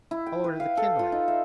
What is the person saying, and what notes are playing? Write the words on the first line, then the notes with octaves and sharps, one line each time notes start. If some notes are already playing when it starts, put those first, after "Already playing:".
I'll order the kindling!
E4
G5
B4
F5
A4
F4
D#4
E5